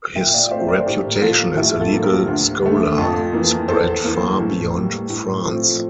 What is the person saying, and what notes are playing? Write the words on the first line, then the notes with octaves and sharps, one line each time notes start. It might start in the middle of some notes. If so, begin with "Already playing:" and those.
His reputation as a legal scholar spread far beyond France.
A#2 E5 G5
D5 F5
A3 C4 C5 E5
A#4 D5
C5
A2 G4 A#4
A#4
F3 A#3 F4 A4
A2 E4 G4
F4 A4
F3 A#3
G4 A#4
D2
D3 A3
F2 F4 A4
E3 A#3
E2 A4 C5
E3 A#3
A2
G3 A#3
A2
F3 A3 C4